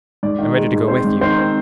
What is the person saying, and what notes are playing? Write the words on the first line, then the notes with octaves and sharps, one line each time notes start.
"I'm ready to go with you."
G#2 D5
D#3
G#3
G#2
C4 C5
G#2
D#3 C5
C4